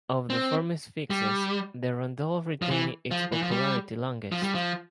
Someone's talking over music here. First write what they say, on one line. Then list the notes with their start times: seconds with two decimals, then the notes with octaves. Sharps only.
Of the "formes fixes", the rondeau retained its popularity longest.
0.30 C4
1.10 G3
2.62 F3
2.71 E3
3.11 F3
3.32 E3
3.42 F3
3.51 G3
4.32 F3
4.43 G3
4.55 F3